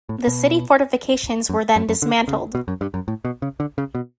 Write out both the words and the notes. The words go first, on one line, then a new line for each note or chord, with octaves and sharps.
The city fortifications were then dismantled.
A2
B2
F#2
F#2
F#2
D3
C#3
B2
F#2
G2
F#2
A2
B2
C#3
D3
C#3
B2